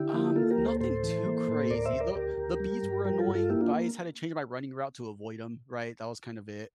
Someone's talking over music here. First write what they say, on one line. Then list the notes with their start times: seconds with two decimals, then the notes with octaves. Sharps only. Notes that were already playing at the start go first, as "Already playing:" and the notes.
Um, nothing too crazy, though the bees were annoying, but I just had to change my running route to avoid 'em, right? That was kind of it.
Already playing: D3 E4 G4
0.13 A#3
0.36 A#3 F4 A4
0.51 G4 A#4
0.58 D2
0.66 A4 C5
0.81 A2 A4 C5
1.03 E3
1.26 A#3
1.48 A2
1.70 D2 A#4 D5
1.85 C5 E5
1.93 D2
2.00 A#4 D5
2.15 D2 G4 A#4
2.37 D2
2.60 G3
2.83 G2
3.05 G3 G4 A#4
3.20 F4 A4
3.27 G2
3.35 F4 A4
3.50 A#3 E4 G4
3.61 D4 F4